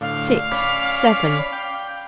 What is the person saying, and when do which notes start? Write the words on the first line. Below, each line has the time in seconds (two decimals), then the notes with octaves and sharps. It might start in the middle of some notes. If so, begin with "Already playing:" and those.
Six! Seven!
0.01 A2 D3 F5
0.51 C#4 D5 B5
1.53 G5